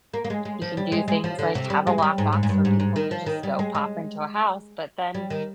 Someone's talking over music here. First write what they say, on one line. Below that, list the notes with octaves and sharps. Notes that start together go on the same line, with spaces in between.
you can do things like have a lockbox where people can just go pop into a house, but then
A#3
A#3
G#3
G#3
F3
G3
G#3
G#3
F3
D3
C3
G3
G#3
G#3
G3
G#2
G#2
G#2
G2
G#2
G#2
D#3
F3
D#3
G3
G#3
G#3
G3
D#3